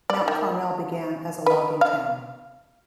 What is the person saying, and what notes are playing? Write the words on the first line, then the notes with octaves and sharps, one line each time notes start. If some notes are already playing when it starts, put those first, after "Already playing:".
Mount Carmel began as a logging town.
D5
D#3
B4
F5